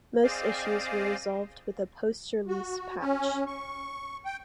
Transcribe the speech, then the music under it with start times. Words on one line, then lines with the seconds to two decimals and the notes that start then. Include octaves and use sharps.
Most issues were resolved with a post-release patch.
0.23 C4 G#4 C5 D5 D#5 F5
2.47 F#4
3.00 C#4
3.47 C#6
4.25 G5